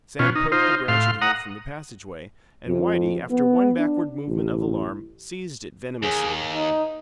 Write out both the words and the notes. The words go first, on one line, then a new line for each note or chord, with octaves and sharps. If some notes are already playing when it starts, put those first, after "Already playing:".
Sam poked the branch at him from the passageway, and Whitey, after one backward movement of alarm, seized it venomously.
B2 C#4 F4
D#4
D#4 F4 C5
A2 F5 C6
F#5 A#5 D#6
F2
B3
D4
A1
D#2 G#4
D#4